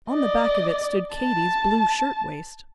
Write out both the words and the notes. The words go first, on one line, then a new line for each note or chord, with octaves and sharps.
On the back of it stood Katy's blue shirtwaist.
D5 D#5
A5